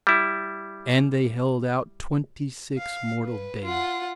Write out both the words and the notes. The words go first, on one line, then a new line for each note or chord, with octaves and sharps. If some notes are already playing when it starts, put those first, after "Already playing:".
And they held out twenty-six mortal days.
G3 E4
F5
B4
F4 F#5